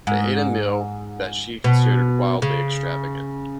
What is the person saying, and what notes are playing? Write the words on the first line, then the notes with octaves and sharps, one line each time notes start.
They ate a meal that she considered wildly extravagant.
G#2
B2
C#3